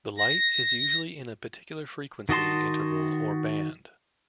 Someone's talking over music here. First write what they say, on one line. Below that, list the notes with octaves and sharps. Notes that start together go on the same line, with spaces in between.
The light is usually in a particular frequency interval or band.
A#6
D#3 F#4 D#5 A5 C6